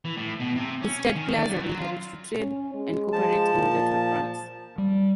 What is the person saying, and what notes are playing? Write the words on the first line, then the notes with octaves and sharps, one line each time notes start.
Instead, players are encouraged to trade and cooperate in order to advance.
E3
A2
B2
C3
C#4
C#4
D#3
D5
F#2
F#3
F4
C#4
G#3
F3 A5
A#2
G3